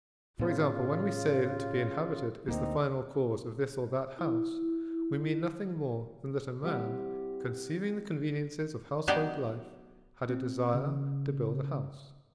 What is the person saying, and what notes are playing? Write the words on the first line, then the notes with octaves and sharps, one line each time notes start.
For example, when we say that to be inhabited is the final cause of this or that house, we mean nothing more than that a man, conceiving the conveniences of household life, had a desire to build a house.
A2 C#3 B3 F4
D2 A#3 C4 D#4
E4
G3 C4 E4 G4 F#5
F#3 B3 D4 D#4 G4 D5
C4
C#3